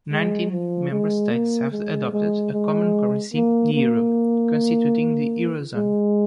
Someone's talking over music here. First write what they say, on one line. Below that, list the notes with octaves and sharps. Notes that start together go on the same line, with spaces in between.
Nineteen member states have adopted a common currency, the euro, constituting the Eurozone.
G#3
F3
G#3
A#3
G#3
G#3
G#3
A#3
A#3
G#3